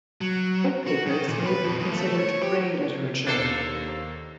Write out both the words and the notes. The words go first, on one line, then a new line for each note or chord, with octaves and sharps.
White papers may be considered grey literature.
F#3
F#4
D#3
A#2
B4
F2
D#2
A3
C#5
G4
D#2 A#3 D4 A4 C5